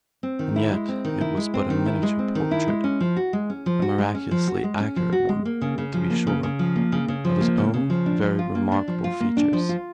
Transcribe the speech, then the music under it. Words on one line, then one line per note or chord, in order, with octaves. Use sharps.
And yet it was but a miniature portrait--a miraculously accurate one, to be sure--of his own very remarkable features.
C4
D#3
E4
G#3
C4
D#3
E4
G#3
C4
D#3
E4
G#3
C4
D#3
E4
G#3
C#4
F3
F#4
G#3
C#4
F3
F#4
G#3
C#4
F3
F#4
G#3
C#4
F3
F#4
G#3
A#3
C#3
C#3
F3
A#3
C#3
C#3
F3
A#3
C#3
C#3
F3
A#3
C#3
C#3
F3
D4
F3
F4
A#3
D4
F3
F4
A#3
D4
F3
F4